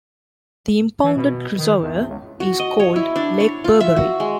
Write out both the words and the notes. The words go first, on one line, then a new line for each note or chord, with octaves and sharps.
The impounded reservoir is called Lake Burbury.
E3
B2
D#3
E2
C#2
F#4
D#5
C#5
E4
D4
C#5
F4
E5
F#4
G#3